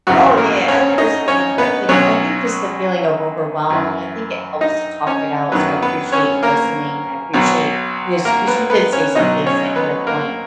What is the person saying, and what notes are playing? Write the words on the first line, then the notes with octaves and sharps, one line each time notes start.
oh, yeah, I understand, but like, I think just the feeling of overwhelmed, I think it helps to talk it out, so, I appreciate you listening. I appreciate because 'cause you did say some things that hit a point
G#1 F#2 C#3 E3 F#3 F#4
A#3 A#4
C#4 C#5
D#4 D#5
C#4 C#5
B3 B4
B1 B2 F#3 C#4 C#5
F#2 E3
D#4 D#5
C#4 C#5
F#2 D#3 F#3 B3 B4
B3 B4
C#4 C#5
A#3 A#4
B1 B2 F#3
A#3 A#4
B3 B4
B3 B4
C#4 C#5
B1 B2 F#3 D#4 D#5
C#4 C#5
B3 B4
A#3 A#4